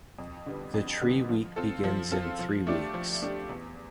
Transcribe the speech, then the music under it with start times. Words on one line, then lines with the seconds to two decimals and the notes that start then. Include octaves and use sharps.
The tree week begins in three weeks.
0.19 F2
0.46 D3 G3 B3
0.74 F2
1.01 D3 G3 B3
1.29 F3
1.56 C4 F4 A4
1.84 F3
2.12 C4 F4 A4
2.39 F3
2.67 A3 D4 G4
2.94 F3
3.22 A3 D4 G4
3.49 E2